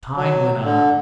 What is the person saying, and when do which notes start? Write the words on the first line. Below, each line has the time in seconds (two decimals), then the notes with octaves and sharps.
Time went on.
0.16 F#3
0.64 D3